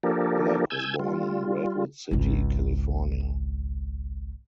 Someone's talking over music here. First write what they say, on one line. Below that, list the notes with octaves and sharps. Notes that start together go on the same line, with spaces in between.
Black was born in Redwood City, California.
F3 A#3 D4 G4 A4 A#4
G#5 E6 G6 G#6
G3 F4
G#1 C#2